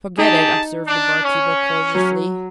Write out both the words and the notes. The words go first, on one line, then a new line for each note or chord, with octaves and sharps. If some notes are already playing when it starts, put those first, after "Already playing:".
"Forget it!" observed the barkeeper cordially.
D#4 G4 G#4 A5
D4
C#4
F#3